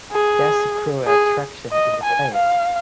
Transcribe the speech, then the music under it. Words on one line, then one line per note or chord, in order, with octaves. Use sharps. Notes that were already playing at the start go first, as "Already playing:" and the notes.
There's a cruel attraction in the place.
G#4
G#4
D#5
G#5
F5